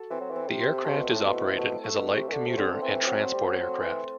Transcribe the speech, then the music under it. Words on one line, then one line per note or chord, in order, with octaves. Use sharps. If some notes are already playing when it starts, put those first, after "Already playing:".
The aircraft is operated as a light commuter and transport aircraft.
Already playing: F#4 A4
E3 C4
F#3
E3 C4
C3
C4
C3 A3
B2
A2 A3
B2
E4
B2 A3
A3
B2
A3
C3
E3
D3 A3
C3
D3 C4
D3
E3 C4
E3
F#3 C4
G3 C4
F#3
C4
E3 A4